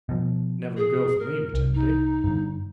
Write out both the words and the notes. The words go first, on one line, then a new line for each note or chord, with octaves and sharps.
"Never a girl for me," returned Dick.
B2 F3
G#4
A#4
C2
D#4
G2 D3